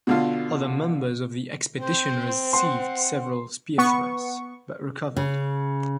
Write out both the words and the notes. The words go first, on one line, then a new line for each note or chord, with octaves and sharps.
Other members of the expedition received several spear thrusts, but recovered.
B2 D3 F4
C4 C5
F#5 C6
B3 C#6
C#3